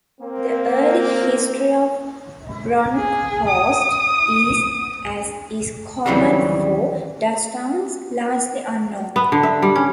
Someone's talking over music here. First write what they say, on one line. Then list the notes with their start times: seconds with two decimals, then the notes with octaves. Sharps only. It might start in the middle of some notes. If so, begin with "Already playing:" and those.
The early history of Bronkhorst is, as is common for Dutch towns, largely unknown.
0.21 A#3 C4
2.95 G#4
3.49 D#6
6.06 D#2 C#3 E3 F#3 G3 C4
9.16 B3
9.32 D3
9.43 E5
9.62 G3
9.76 C#4